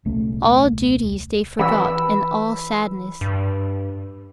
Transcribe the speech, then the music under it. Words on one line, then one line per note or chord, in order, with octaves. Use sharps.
All duties they forgot, and all sadness.
D#1 C2 A3 C#4
E3 B5 E6
G2